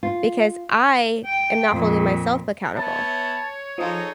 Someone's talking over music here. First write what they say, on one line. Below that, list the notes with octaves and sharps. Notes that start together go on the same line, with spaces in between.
because I am not holding myself accountable.
F4
G5
F2 A#2
B3 C#5 E5 A5
F3 D#4 F4 G#4 A4 D#5